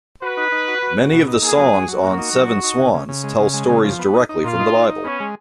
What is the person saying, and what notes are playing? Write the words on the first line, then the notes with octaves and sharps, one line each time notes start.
Many of the songs on Seven Swans tell stories directly from the Bible.
F#4 B4
D#4
D#4
F#4
F#4
F#4
B2
D#4
A#3 G#4
F#3
F#3
F#3
A#3 F#4
D#4
F#3
D#4
D#4
C#3
C#3
C#3
G#3
C#3
G#3
C#3
F3
B3
D#4
D#4
A#2 F4
D#4
D#4
D#4
B3 C#4
G#3